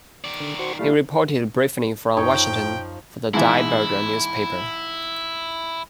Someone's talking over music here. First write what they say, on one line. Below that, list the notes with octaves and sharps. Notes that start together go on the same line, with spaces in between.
He reported briefly from Washington for the "Die Burger" newspaper.
D#3 D5
D3
F#4 C5 C#6
A#2 G3 A3 E4 F5
F#2 F3 D#4 C#5 G5
G#2 B2 E3 E4